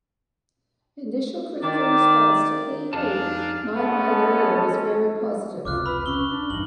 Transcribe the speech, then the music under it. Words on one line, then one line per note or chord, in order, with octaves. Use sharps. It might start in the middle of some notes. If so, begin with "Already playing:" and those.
Initial critical response to "Hey Hey My My Yo Yo" was very positive.
D#3 D5
F2 D4 D#4 G#4 F5 A5
G#3 B3 C#4 A4
F1 C#2 C3 F4 D6 F6 F#6
B4 B5 E6
C#4 C#6 G7
D4
A#1 E2 G2 D#4 F#7